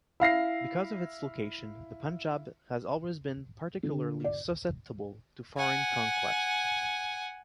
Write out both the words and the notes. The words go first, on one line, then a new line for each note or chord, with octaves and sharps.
Because of its location, the Panjab has always been particularly susceptible to foreign conquest.
E4 F5 A#6 C7
D3
D5
F#5 G#5